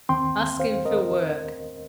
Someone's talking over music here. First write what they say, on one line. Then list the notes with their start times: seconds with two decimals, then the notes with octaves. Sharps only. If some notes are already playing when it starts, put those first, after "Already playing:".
'Asking for work.
0.09 D#2 D#3 C4 G5 C6
0.60 C5 F5
0.85 A#4 D#5